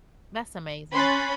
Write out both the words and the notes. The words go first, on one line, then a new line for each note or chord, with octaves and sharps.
That's amazing.
C#4 B5 C6 F#6 A6